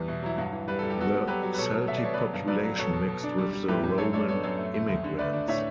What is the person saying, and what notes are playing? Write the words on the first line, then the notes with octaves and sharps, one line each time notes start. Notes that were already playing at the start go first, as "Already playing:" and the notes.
The Celtic population mixed with the Roman immigrants.
Already playing: E2 G3 B3
B2 E4
F#3 E4
G2 F#4
E3
G3 B4
G3 A4
G4
B3 F#4 A4
B3
F#3 G4 B4
F#3
B4
B2 A4 C#5
F#3
B2 E5
D5
B2 C#5
F#3 B4 D5
G2
F#3 B4 D5
F#3
B2 A4 C#5
B2
B2
D4
G3
G3
A2 G4 B4
A2
F#2 A4 C#5
D4 A4 C#5
B3 A4 C#5
F#2 A4 C#5
A3
A3
D2
D3
A3 B4 D5
D4
A2 C#5 E5